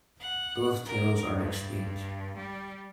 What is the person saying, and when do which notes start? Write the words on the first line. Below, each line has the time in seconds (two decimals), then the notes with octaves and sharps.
Both titles are extinct.
0.19 F#5
0.85 A#4
1.37 G2
2.36 G3